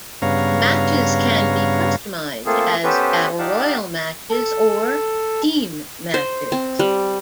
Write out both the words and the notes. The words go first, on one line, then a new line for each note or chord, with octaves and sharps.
Matches can be customized as battle royal matches or team matches.
G2 C#3 B3 C#5 F5 A#5
A3 A#3 C4 F4 G#4 A4
B3 C#4 G4 A4 B4 C5
D#4 G4 D5 F5 F#5 A5
A4
C5
C4
G3